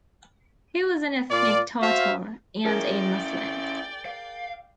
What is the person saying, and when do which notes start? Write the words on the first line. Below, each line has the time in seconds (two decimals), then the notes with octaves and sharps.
He was an ethnic Tatar, and a Muslim.
1.30 A#2 F4 D5
1.82 F#4 C5 E5 F5
2.65 C#4 E4 G#4 A#4 D5 G5
4.06 F5